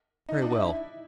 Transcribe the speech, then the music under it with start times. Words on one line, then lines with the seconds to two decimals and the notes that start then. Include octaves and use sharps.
Very well.
0.29 D#4
0.42 D4
0.55 E4